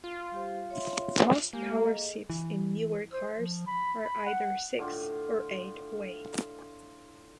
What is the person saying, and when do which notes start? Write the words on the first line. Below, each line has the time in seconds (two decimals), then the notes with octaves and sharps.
Most power seats in newer cars are either six- or eight-way.
0.04 F4
0.31 G3 G4 C5
0.70 C#5 E5 C6
1.53 G#3 A#3 G4 G#5
1.82 G#4 A4 D#5
2.30 E3
3.13 C5
3.39 F3
3.67 B5
4.05 B5
4.26 F#5
4.79 A2 D3 F4 D6